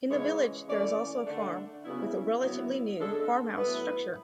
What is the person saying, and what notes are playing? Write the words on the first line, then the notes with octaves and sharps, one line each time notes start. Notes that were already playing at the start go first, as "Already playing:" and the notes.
In the village there is also a farm, with a relatively new farmhouse structure.
C#3 E3 G#3 C#5
E3 A3 C#4 D5
D3 A3 D4
C#3 F#3 B3 E4
D3 F#3 B3 E4
C#3 G#3 D4 A4
A2 F#3 B3 E4 B4